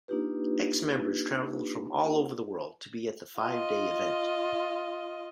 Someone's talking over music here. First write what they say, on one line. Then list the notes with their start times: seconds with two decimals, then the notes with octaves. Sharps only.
Ex-members travelled from all over the world to be at the five-day event.
0.08 A#3 D4 D#4 F4 G4 B4
3.40 F4 D#5